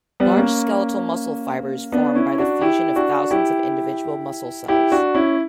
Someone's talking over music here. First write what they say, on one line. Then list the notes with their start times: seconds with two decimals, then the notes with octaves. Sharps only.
Large skeletal muscle fibers form by the fusion of thousands of individual muscle cells.
0.20 G3 B3
0.37 A#3 C#4
1.92 B3 D4
2.15 C#4 E4
2.38 D4 F#4
2.61 E4 G4
2.96 D4 F#4
3.31 E4 G4
4.68 E4 G4
4.92 D4 F#4
5.15 C#4 E4